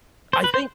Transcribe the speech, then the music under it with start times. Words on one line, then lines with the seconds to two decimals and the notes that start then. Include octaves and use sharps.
I think
0.33 C5
0.44 B4
0.54 C5